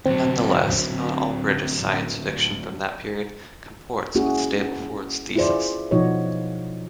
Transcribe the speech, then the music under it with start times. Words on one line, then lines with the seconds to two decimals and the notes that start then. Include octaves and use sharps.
Nonetheless, not all British science fiction from that period comports with Stableford's thesis.
0.06 D2 F#3 C4
4.15 A#3 C#4 E4 F#4 G#4
5.35 E4 F4 G#4 C5 D5
5.91 B2 F3 D#4 F#4 C#5 D#5